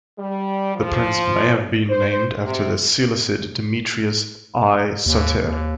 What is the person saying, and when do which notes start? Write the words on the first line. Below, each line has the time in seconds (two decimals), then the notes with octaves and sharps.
The prince may have been named after the Seleucid Demetrius I Soter.
0.18 G3
0.75 F3
1.90 C5
2.44 C3
5.06 D#2
5.45 D#2